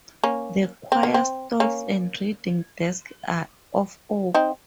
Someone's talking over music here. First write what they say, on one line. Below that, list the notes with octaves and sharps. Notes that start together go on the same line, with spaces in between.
The choir stalls and reading desk are of oak.
A#3 C#4
C4
A#3
C4
A#3 C#4
C4 D#4